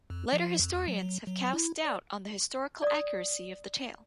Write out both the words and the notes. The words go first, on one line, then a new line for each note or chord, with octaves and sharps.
Later historians have cast doubt on the historical accuracy of the tale.
F2
F3
F2
E2
F#3
F#3
E4
D5
D5 D#6